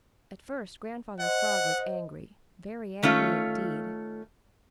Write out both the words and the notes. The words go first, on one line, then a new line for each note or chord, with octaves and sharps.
At first Grandfather Frog was angry, very angry indeed.
C5 D#5 F#5
D#3 A3 C#4 F4